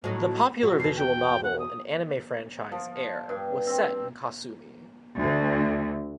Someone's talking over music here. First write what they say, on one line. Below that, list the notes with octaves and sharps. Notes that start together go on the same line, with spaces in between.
The popular visual novel and anime franchise "Air" was set in Kasumi.
A2 F#3 D#4
A#2 F#3 F#4
E2 B2 C7
G5
F#5
D#6
F3
G2
C4
D2